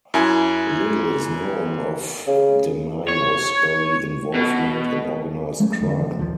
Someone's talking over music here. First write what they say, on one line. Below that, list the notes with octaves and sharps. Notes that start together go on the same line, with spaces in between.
Little is known of DeMayo's early involvement in organized crime.
F#2 E4 G#5
C#3
C#5
B2
F#3 G#3 A3 C#4
E2 D3 F3
F3
A#1 D#2 D3 F3